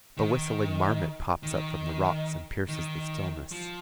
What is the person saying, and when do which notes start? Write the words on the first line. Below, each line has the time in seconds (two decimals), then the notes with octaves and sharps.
A whistling marmot pops up from the rocks and pierces the stillness.
0.17 D#3
1.43 D#3
2.68 D#3
3.52 F3